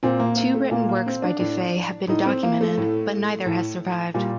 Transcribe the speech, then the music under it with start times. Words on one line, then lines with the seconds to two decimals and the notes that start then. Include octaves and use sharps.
Two written works by Du Fay have been documented, but neither has survived.
0.03 A#2 C4
0.19 A#3
0.37 A#3
0.54 A3
0.71 A#2 A#3
0.89 A#3
1.06 C4
1.22 D4
1.39 A2 D4
2.08 A2 D#4
2.25 C4
2.43 A#3
2.61 A3
2.77 A2
3.46 A2
4.14 A#2 G3